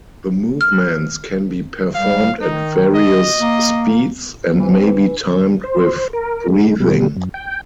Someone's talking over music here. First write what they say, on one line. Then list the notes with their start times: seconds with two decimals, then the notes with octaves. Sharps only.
The movements can be performed at various speeds and may be timed with breathing.
0.61 F6
1.95 G3 F5
2.41 D#3 D#4
2.95 D#5
3.39 A#3
4.60 E3 C4
5.64 C5
6.13 A#4
6.49 G#3
6.80 B2 G3
7.17 F#2
7.34 G5